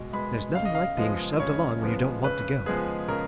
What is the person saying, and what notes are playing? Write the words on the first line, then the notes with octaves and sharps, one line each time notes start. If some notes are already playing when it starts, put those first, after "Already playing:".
There's nothing like being shoved along when you don't want to go.
Already playing: B2 G#3
G#3 B3 B5
C#3 F5
D#5
F5
F3 G#3 B3 D#5
C#3 C#5
F3 G#3 B3
C#3 B4
F3 G#3 B3 G#4
C#3 A#4